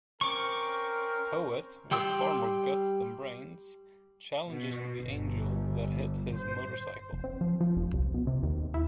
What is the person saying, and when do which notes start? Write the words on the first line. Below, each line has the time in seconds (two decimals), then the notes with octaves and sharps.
Poet, with far more guts than brains, challenges the Angel that hit his motorcycle.
0.21 C4 C#4 A#4 C#6 D6
1.91 G3 G5 C6 E6
4.48 B2
5.00 G1
6.37 C5
7.13 F1
7.24 C4
7.41 F3
7.61 F3
7.76 F1
7.93 C2
8.14 B2
8.27 C3
8.43 D#2
8.74 E4